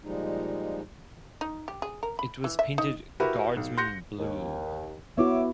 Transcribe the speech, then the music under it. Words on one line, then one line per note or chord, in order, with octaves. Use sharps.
It was painted Guardsman Blue.
A#2 F3 G3 G#3 D#4
D#4
G4
G#4
A#4
B5
E3
E5
D#4
E4 F#4 G4 A#4 B4
B1
C6 F#6 G6 A#6 C#7
D#2
B3 E4 F#4 C#5 E5 D6